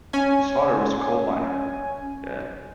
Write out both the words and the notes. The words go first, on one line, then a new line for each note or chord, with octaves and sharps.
His father was a coal miner.
C#4 G#5